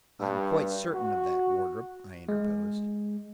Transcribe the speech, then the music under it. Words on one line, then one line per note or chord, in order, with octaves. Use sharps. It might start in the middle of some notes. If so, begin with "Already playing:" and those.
"I am quite certain of that, Wardrop," I interposed.
G2
F#4
G#3